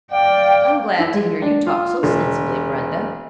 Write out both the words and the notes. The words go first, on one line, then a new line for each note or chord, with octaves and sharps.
I'm glad to hear you talk so sensibly, Brenda.
D5 F5 G5
E4
G#3
D4
F4
E1